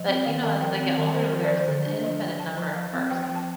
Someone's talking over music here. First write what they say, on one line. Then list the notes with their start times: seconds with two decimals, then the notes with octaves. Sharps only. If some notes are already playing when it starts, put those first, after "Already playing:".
But, you know, as they get older, there's an infinite number of firsts.
Already playing: F3 D#5
0.08 C4
0.21 G5
0.25 D#3 F5
0.43 D#3
0.61 F3 G5
0.79 C4
0.97 D#3
1.07 A5
1.14 D#3 C5
1.24 A#4
1.33 F3 C5
1.44 D5
1.51 F3
1.57 C5
1.68 D3
1.86 D4
2.04 F3 D#5
2.22 F3
2.40 F3 A5
2.58 F3
2.75 F3 F5
2.93 C4
3.10 F3 G5
3.22 G5
3.29 F3
3.35 A5